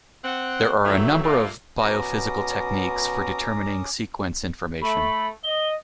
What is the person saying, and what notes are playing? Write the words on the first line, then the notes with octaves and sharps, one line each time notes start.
There are a number of biophysical techniques for determining sequence information.
C4 F#5
D#3 E3 F#3 A3
A#2 A3 A#3
B2 C#4 A#5 D6 D#6
A3 B5
D#5 G7